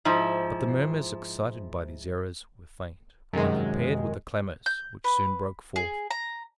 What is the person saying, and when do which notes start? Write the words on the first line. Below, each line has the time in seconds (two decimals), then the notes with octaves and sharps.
But the murmurs excited by these errors were faint, when compared with the clamours which soon broke forth.
0.05 G#2 F3 E4
3.33 F#2 C3 D#3 G#3
4.66 G6
5.04 B4
5.76 G#4
6.10 A#5